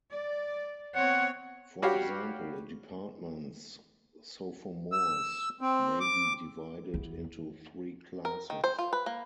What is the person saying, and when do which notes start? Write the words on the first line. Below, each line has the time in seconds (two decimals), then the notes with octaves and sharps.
For example, a department's sophomores may be divided into three classes.
0.11 D5
0.95 B3 C4 C#5 F#5
1.82 G3 F#4 G4 C#5 F5
4.92 E6
5.61 C4
6.00 D6
6.94 E2
8.25 A#4
8.50 D#3
8.64 C5
8.78 F4
8.93 B4
9.06 A#3